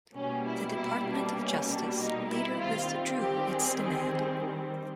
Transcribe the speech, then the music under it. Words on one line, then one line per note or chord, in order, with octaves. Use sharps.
The Department of Justice later withdrew its demand.
B2 G3 A#3 C#4
E4
E4
D4
C#4
D4
D#4
E4
D#3 G3 C4 F4
G4
G#4